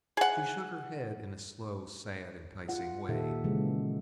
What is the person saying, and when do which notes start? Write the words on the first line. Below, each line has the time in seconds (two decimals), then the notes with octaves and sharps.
She shook her head in a slow, sad, enticing way.
0.17 G#4 F#5
2.69 F4 F#5
3.08 A#2 D#3 D#4 G4 A4 E5
3.44 C#3 E3 G#3